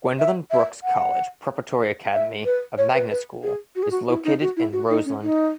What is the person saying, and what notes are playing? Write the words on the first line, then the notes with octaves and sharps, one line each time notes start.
Gwendolyn Brooks College Preparatory Academy, a magnet school, is located in Roseland.
E5
E5
F#5
E5
B4
C#5
B4
B4
G#4
F#4
G#4
F#4
E4
D#4
F#4
E4
F#4
D#4
C#4
D#4